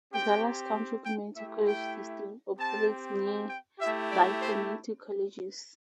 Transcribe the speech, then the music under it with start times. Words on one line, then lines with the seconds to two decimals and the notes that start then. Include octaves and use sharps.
Dallas County Community College District operates nearby community colleges.
0.13 C4 G4 G5
1.05 G5
1.36 A3 E4 G4 E5
1.67 G5
2.57 C4 G4 A5
3.49 G5
3.80 A3 E4 G4 E5
4.11 D5
4.41 C5